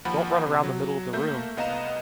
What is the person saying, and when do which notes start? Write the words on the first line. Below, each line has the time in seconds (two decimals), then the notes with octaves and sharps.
Don’t run around the middle of the room!
0.05 D#2 F3 F#5 B5
0.46 C3
0.63 F#3
1.13 A3 A#3 E5 G6
1.57 C2 B3 D#5 F5 A#5 E7